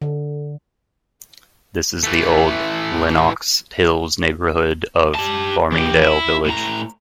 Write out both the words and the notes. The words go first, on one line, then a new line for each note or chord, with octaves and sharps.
This is the Old Lenox Hills neighborhood of Farmingdale Village.
D3
E3 A3
G4 A5
E3 G4
E4
A2 A#5